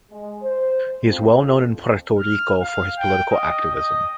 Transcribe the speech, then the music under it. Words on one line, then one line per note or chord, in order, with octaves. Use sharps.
He is well known in Puerto Rico for his political activism.
G#3
C5
F2
F6
F5
G5
D#5
D#5